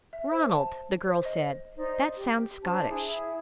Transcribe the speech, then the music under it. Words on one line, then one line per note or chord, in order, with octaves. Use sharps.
"Ronald," the girl said, "that sounds Scottish."
E5
C5
A5
C5
D#5
D#4 C5 D5 D#5
G4
D4 C5 A5
E4 G#4